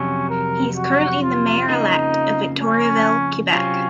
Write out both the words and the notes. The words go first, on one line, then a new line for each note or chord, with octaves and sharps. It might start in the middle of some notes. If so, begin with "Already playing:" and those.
He is currently the mayor-elect of Victoriaville, Quebec.
Already playing: F2 C3 F#3 C#4
A#4
F#4
F4
F2 C#3 F3 A#3 D#4
C#4
C3 F#3 C4 C#4 F4